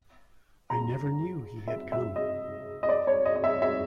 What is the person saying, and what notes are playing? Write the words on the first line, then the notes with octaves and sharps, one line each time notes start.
I never knew he had come!
A#5
E5
E5
D#5
D#5
D5
C#5
D#5
D#5
E5
E5